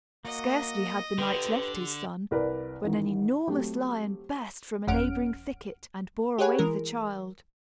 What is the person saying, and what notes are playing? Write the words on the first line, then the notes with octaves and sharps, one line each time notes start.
Scarcely had the knight left his son, when an enormous lion burst from a neighboring thicket and bore away the child.
A#3 F#4 D#5
D3 G4 B4 C6
C2 A#4 B4 D5
A1 D#3
F#3 A3 C4 G4
G1 F2 C#4 F#5 F6 D7
G4 G#4 B4 C#5 F#5 G#5
E3 G#3 A#4